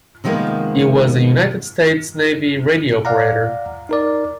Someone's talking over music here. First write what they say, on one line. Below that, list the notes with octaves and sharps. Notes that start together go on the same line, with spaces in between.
He was a United States Navy radio operator.
C3 D#3 F3 G#3 A#3 B3
D5 F5 F#5 A#5
D#4 A#4 D5